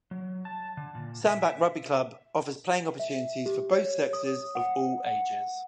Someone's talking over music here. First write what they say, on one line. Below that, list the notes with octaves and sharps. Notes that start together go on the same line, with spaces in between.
Sandbach Rugby Club offers playing opportunities for both sexes of all ages.
F#3
A5
D3
A#2
E5
E5
E5
G4
C#5
D#6
F#5
F#5